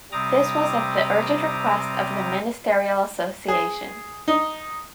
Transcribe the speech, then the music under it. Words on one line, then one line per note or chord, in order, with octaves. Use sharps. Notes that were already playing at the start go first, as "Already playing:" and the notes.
This was at the urgent request of the Ministerial Association.
C3 G3 C4 A#5 D6 D#6
G#4
D#4